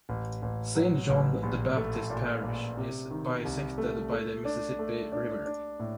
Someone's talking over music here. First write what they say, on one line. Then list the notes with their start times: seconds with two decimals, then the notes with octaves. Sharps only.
Saint John the Baptist Parish is bisected by the Mississippi River.
0.09 A1
0.42 A1
0.75 F#3
1.09 A1
1.43 A#1
1.77 A3
2.10 A#2
2.44 A#2
2.77 C3
3.11 D#3
3.45 C2
3.78 A3
4.12 A3
4.45 D4
4.79 A3
5.12 D4
5.46 D4
5.80 A2